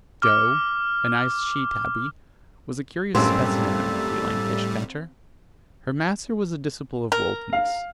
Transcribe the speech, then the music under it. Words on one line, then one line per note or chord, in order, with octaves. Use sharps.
Joe, a nice she-tabby, was a curious specimen of the feline fish-catcher. Her master was a disciple of Walton's.
D6 F6
A#1 F#2 A2 G3 C4 A4
A#4
F5